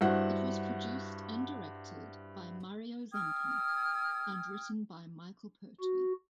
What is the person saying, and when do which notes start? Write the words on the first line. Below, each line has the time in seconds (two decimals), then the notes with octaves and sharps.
It was produced and directed by Mario Zampi and written by Michael Pertwee.
0.01 G2 E4 F#4 C5 F#5
3.12 G5 D#6 F6 G#6
5.81 F#4